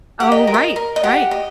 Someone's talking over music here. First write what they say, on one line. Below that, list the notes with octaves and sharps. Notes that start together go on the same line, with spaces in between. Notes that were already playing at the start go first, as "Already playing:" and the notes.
Oh, right. Right.
G4 F#5
D#5
A#4
D#5
A#4
D#5
G4 F#5
D#5